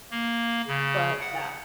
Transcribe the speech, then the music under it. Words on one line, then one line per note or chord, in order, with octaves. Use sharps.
but, yeah
A#3
C#3
F#5